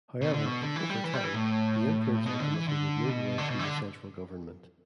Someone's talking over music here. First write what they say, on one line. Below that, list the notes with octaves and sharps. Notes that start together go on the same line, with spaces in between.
However, over time, the influence ultimately would move away from the central government.
B2
D3
B2
D3
E3
G3
E3
G3
E3
A2
B2
D3
E3
D3
B2
D3
B2
E3
D3